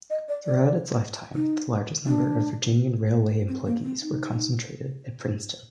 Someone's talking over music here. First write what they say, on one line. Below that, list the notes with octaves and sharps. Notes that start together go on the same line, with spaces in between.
Throughout its lifetime, the largest number of Virginian Railway employees were concentrated at Princeton.
D#5
D5
D5
D#4
D4
C4
A#3
C4
D#4